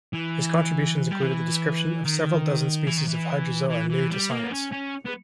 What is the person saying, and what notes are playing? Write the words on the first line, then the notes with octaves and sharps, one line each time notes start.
His contributions included the description of several dozen species of Hydrozoa new to science.
E3
G3
E3
D#3
E3
D#3
E3
E3
E3
G3
A#3
B3
C#4
C#4
B3